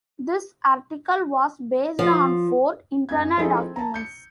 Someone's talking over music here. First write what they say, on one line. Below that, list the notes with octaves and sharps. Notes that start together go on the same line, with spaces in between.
This article was based on Ford internal documents.
F3
F#2 G#6
F3 G#3 D#4 E4 G#4 A4
C4
A5 A#5
G6 C#7